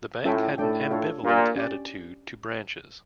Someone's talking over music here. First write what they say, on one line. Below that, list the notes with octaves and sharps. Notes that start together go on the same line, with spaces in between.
The Bank had an ambivalent attitude to branches.
A2 C#4 F4 A4 E5 G5
A2 A3 D4 A4 D5 G5
D4 F4 A4 C#5 F5
A#2 D4 G4 D5
C#4 G4 D5